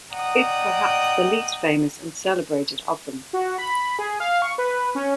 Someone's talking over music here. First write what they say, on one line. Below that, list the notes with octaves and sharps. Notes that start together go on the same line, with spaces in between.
It is perhaps the least famous and celebrated of them.
D5 D#5 F#5 G5 A#5 D#6
F#4
B5
G#4
F5
C#6
B4
C#4